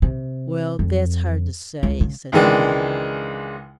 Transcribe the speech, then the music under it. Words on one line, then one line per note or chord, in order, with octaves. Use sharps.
"Well, that's hard to say," said the man.
C3
F2
C#2
C#3
C#2 D#3 E3 G#3 D4